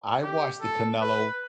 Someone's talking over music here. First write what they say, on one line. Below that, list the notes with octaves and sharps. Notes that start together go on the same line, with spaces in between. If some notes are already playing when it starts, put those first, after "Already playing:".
I watched the Canelo
G4
A4
B4